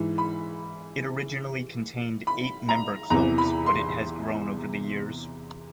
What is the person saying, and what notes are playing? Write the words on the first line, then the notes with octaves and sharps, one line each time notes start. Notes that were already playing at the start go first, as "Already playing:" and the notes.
It originally contained eight member clubs, but it has grown over the years.
Already playing: G#2 E3
B5
B5
A#5
E2 C3 E3 A#5
B5
C6